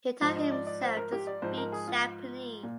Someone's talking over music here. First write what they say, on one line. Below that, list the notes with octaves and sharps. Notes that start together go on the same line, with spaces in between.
He taught himself to speak Japanese.
G#2 F3 C5
D#5
D5
D5
C5
A#4
G4
D5
G#2 F3 C5
A#4
G#4
F4
A#2